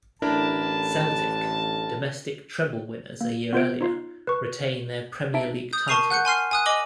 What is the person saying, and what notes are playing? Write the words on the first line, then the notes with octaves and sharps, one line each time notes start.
Celtic, domestic treble winners a year earlier, retain their Premier League title.
A1 D3 D4 E4 A#4 A5
A#3
B3 F4 C5 D7
D#4 F4 C7
B4 C#6
D#4 E5 A5 D7
D#6 G6
A#4 A5 C#6 C7 D#7 F7
F#5 F#6 G6 C#7
G#5 C6 F6 C7
G#5 D#6 F#6
D#5 G#5 D6 F#7 G7